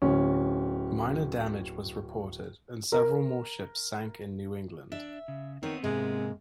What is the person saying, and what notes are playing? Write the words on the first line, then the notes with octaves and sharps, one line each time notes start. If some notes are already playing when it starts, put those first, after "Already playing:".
Minor damage was reported and several more ships sank in New England.
D1 C#4
A#4
D4 E5
C#3
D#3 B3 C4 C#5
G#2 C3 G#3 A#3